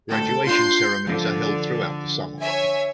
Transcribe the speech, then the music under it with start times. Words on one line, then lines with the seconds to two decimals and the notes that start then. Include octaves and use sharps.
Graduation ceremonies are held throughout the summer.
0.10 D2 A3 A4 G5
0.47 D4 F4 C6 G6 C7
1.07 D3 F3
2.40 C#5 E5 G#5